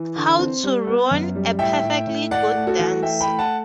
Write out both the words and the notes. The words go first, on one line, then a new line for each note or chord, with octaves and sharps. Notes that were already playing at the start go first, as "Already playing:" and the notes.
How to ruin a perfectly good dance.
Already playing: E3
D3
C4
G3
B3
F#2
G3
A2 E5 G5
A2
A2
A3 D5 F#5
A3
F#4 A4
E3
A3 E5 G5
G5 B5
A3
F#5 A5